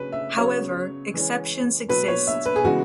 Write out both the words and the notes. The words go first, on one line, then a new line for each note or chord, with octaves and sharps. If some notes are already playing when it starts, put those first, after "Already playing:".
However, exceptions exist.
Already playing: C#3 F#3 C#4 B4
E5
C#3 F#3 B3 C#5
E3 G#3 C#4
B2 F#3 B3 B4
C#5
E5
B4
G#4
C#3 E3 G#3 B3 F#4